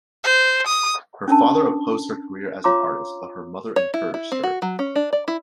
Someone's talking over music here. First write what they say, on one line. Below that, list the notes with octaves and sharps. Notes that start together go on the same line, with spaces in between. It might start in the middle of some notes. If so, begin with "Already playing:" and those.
Her father opposed her career as an artist, but her mother encouraged her.
C5
D#6
C#4 D4 A#4 A5
F4 C#5 F5 A#5 C6 D6
C#5
E4
E4
C4
F#4
F#3
C#4
D4
D5
E4